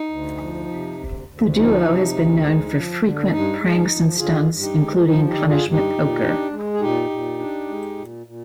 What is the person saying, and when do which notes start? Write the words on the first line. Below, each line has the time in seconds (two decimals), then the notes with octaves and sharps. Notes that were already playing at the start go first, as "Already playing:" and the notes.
The duo has been known for frequent pranks and stunts, including Punishment Poker.
Already playing: D#4
0.10 D2
0.40 F3
0.68 C3
0.98 D2
1.27 D2
1.55 F3 D#4
1.85 C3
2.14 D2
2.43 G#3
2.73 F3
3.01 D3
3.30 G2 D#4
3.60 G#3
3.75 D#4
3.90 F3
4.18 D3 F4 G#4
4.47 G2
4.62 D#4 G4
4.77 G#3
5.05 F3 D#4
5.27 D#4 G4
5.34 D3
5.49 F4 G#4
5.64 G2
5.71 D#4 G4
5.93 A#2
6.22 D4
6.51 G#3
6.74 G#4
6.80 A#2 D#4 G4
7.10 A#2
7.39 D4
7.68 G#3
7.98 A#2
8.26 A#2